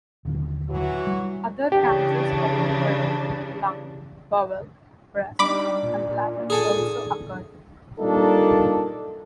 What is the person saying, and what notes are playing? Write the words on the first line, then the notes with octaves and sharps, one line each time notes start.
Other cancers of the brain, lung, bowel, breast, and bladder also occurred.
D#1 D3
E3 F#3 F#4
G3
C#3 E3 D4 G4
G3 D4 D#4 B5 D6
A#2
G#4 A4 G#5
A#2 G3 A#3 D4 D#4 A4